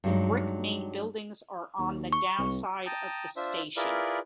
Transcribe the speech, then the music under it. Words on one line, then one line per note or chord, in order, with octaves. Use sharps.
The brick main buildings are on the down side of the station.
G2 F#3 G#3 D#4
D#2
C#6
C2
G5 A5 A#5 D#6
D4 F4 C5 E5
E4 F4 G#4 A#4 B4 D5